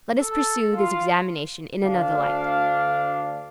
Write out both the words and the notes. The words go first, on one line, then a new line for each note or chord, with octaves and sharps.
Let us pursue this examination in another light.
A4
F4
D2 D4 F5